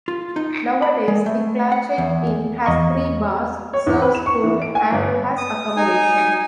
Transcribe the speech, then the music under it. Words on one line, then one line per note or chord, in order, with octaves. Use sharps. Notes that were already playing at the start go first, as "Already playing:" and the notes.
Nowadays the Clachaig Inn has three bars, serves food and has accommodation.
F4
D#4
B5
G#3
A3
F#5
E2
E2 D#5 C#6
C#5
E2
B4
E7
C#6
E3
D7
G#5
G1
B3
D#6
D#4 G#5